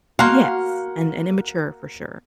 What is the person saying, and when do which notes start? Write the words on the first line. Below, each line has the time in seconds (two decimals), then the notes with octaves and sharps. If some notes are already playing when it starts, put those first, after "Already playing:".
Yes, and and immature for sure.
0.19 A#3 F#4 F5 F#5 C6